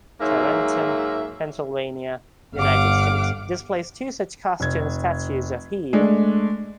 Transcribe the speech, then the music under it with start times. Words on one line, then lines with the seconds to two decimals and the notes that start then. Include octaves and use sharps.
Tarentum, Pennsylvania, United States displays two such cast stone statues of Hebe.
0.21 G#2 F#3 A#3 E5
2.55 G1 F5 F#5 D6
4.60 F1 G#6
5.93 G#3 A3 D4